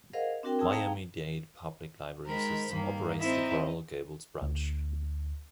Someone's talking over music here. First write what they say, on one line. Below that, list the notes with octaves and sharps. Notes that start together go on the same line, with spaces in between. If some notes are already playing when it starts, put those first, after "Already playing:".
Miami-Dade Public Library System operates the Coral Gables Branch.
G#4 A#4 C5 D#5 F5 F#5
C4 D4 F#4 A#4 G5
C4 G#4 G5 A5 D#6 E6
A3 D#4 G#4 F5 G5 A#5
D#3 G#3 A#4 C5 B5
G2 D#3 A#3
C4 D#4 E4 D#5 A#5
D2